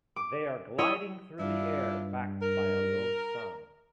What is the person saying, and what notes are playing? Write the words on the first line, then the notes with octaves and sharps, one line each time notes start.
They are gliding through the air, backed by a low sun.
D6
E4 C#5 D#5
G2 D4 E4 F4
A#4